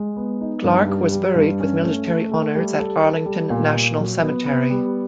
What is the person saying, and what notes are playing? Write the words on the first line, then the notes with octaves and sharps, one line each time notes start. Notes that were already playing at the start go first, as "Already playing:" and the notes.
Clark was buried with military honors at Arlington National Cemetery.
Already playing: G#3
B3
D#4
G2
G3
G3
G2
C#4
A3
A3
A3
G3
A4
A4
G3
A#2
A#2
F#3
B3
B3
G3